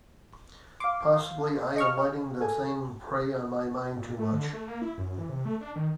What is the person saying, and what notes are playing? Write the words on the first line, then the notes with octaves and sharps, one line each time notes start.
Possibly I am letting the thing prey on my mind too much.
F5 C6 D6
D#5 C#6 F6
G#4 A4 G#5
A#2
A3
D3
A3
A#3
E4
F#2
E3
C3
A3
D4
D#3